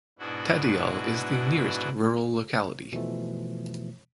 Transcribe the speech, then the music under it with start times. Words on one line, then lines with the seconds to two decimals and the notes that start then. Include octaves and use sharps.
Tadiyal is the nearest rural locality.
0.19 G#2 B2 B3 D4 E4 F#4
2.92 B2 E3 F3 A3